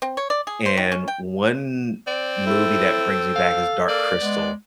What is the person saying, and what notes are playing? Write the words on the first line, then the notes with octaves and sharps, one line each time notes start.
and one movie that brings me back is Dark Crystal,
C4
C#5
D5
G#4
C5
D#3
C#4
G5
C4 D5
E4 A4
F5
A#3 D5
G#3 B3